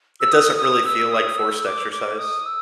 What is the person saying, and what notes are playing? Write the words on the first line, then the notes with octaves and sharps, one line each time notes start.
it doesn't really feel like forced exercise.
E6
D#6
D#6
E6
D#6
E6
D6
D6
D#6
E6